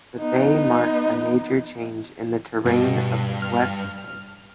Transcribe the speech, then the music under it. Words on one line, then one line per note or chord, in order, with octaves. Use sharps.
The bay marks a major change in the terrain of the west coast.
B3 D#4
G2 B2
F6